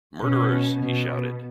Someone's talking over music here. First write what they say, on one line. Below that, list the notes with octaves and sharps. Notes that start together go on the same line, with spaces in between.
"Murderers," he shouted.
B2 C#4
B2